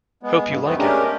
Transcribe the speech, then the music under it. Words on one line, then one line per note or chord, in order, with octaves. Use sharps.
Hope you like it.
G#3 B3
G2 B2
D#2 E3 A3 B3 C4
G#3 A3 C#4 D4 G4 A#4